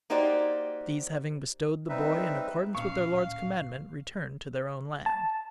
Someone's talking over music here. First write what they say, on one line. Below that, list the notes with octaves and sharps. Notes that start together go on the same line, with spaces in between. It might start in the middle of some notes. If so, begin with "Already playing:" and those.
These having bestowed the boy in accordance with their lord's commandment, returned to their own land.
A#3 D#4 F#4 G4 C5 D5
G3 C4 D#4 B4 E5
D1 A#2 C#4 F5 C#6
A5